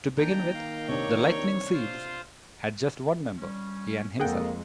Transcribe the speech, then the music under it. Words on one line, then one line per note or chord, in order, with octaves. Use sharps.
To begin with, The Lightning Seeds had just one member - Ian himself.
D#3 A#3 D4 G5 A#5
F5
C3 D4 C#5
F4 C5
G3 C#4
F2 G#3 A#3 G#4 A4 D#5 F#5 G5